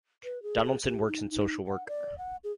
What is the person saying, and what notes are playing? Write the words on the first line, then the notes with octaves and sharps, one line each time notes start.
Donaldson works in social work.
B4
G#4
G4
D#4
D#4
F#5
D5
F#5
G#4